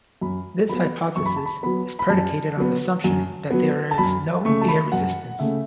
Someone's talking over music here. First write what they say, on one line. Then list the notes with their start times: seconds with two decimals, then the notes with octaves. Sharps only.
This hypothesis is predicated on the assumption that there is no air resistance.
0.21 F#2 B5
0.69 F#3 B3 B5
1.16 F#2 C#6
1.26 B5
1.36 A5
1.45 B5
1.63 F#3 B3 B5
1.99 B5
2.09 F#2 A5
2.57 F#3 B3
3.04 F#2
3.51 F#3 B3
3.91 A5
3.98 F#2 B5
4.45 C#3 A3 C#6
4.61 A5
4.68 B5
4.92 F#2 F#5
5.39 C#3 A3 E5